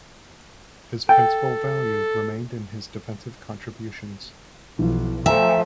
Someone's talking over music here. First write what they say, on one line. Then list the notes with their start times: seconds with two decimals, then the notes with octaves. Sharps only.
His principal value remained in his defensive contributions.
1.09 A4 G5
4.79 B1 E3 F3
5.26 F3 A3 E5 G5 G#5 A#5